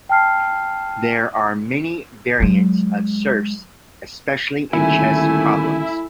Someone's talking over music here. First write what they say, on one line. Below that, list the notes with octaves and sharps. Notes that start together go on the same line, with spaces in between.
There are many variants of Circe, especially in chess problems.
G5 A5 F6 C7
F#3 G#3
D#1 D3 D#3 A3 E4 A#4 G#5